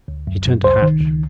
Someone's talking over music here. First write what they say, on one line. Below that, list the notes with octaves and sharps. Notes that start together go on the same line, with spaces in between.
He turned to Hatch.
D2
F#2
F#2
C2 C5
D#3
C#2